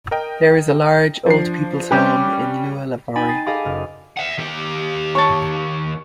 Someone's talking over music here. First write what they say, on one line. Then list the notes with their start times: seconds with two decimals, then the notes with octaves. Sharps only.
There is a large old people's home in Luolavuori.
0.11 A#4 D#5 G5
1.26 F3 D4 C7
1.91 G3 C#4 G4 B4
3.15 D#4 G5 G#5 B5 A6 E7
3.28 D#6 A6 C7
3.46 G#4 A4 D#5 F5 B5 D6
3.65 F#1 F6
4.17 E5 F#5
4.38 D#2 G4
5.15 C#5 A5 C#6